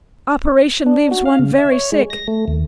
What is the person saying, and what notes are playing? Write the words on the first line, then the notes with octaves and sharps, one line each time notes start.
Operation leaves one very sick.
D4
F#4
F5
C#3
E5
C#5
G#3
A#6
A3
D#2